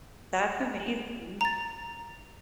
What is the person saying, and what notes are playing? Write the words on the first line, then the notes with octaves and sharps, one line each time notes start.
That's amazing.
A#5 A6